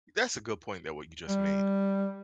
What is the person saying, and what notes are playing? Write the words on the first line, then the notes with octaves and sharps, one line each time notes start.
That's a good point that what you just made,
G3